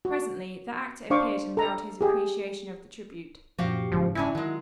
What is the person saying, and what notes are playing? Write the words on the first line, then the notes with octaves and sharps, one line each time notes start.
Presently the actor appeared and bowed his appreciation of the tribute.
F#4
D4 C5 F5 C#6 D6
A4 A#5
G4 G#4
F#2 A#2 F3 F#4 G4 F5
F#1 G#2 C#3 F3
E3 C#4 D4 E4
D#3 F#3 G#3